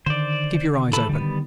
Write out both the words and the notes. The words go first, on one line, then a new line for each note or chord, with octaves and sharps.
Keep your eyes open.
D3 D#3 C5 D5
E3 A4 B5
D3 D#3 G3 B3